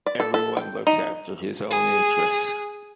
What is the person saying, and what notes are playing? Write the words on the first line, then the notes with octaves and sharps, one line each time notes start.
Everyone looks after his own interests.
D5
A4
A4
G5
D#4
G#4